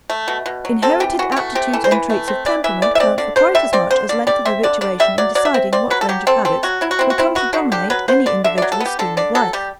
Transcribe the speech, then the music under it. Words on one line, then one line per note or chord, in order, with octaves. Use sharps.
Inherited aptitudes and traits of temperament count for quite as much as length of habituation in deciding what range of habits will come to dominate any individual's scheme of life.
A3
B2
B2
F#3
C4 A4
E3 G4
E3 F#4
G4
A3 F#4
C4 G4
E3 A4
C5
E3 B4
A3
C4
E3 D5
E3 E5
A3 D5
E5
C4 D5
D3 D5
D3 C5
G3 E5
C4 D5
D3 C5
D3 D5
G3 D5
C4 E5
D3 D5
D3 D5
G3 E5
F#3 D5
F#3 D5
E5
C4
C4 D5
F#3 B4
A4
F#3 G4
C4 A4
C4 A4
F#3 F#4
F#3 E4
F#4
C4 E4
F#4
C4 E4
B3 F#4
D3 F#4
D3 G4
F#3 B4
B3 C5
D3 D5
D3 E5
F#3 D5
A4
B3
G4
D3 A4
D3 D5
F#3 A4
G3 G4